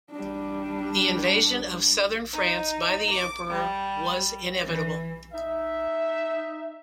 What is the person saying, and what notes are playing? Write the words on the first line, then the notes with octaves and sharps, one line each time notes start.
The invasion of southern France by the Emperor was inevitable.
G3 D4
D#4
D6
G3
E3
D#4 E5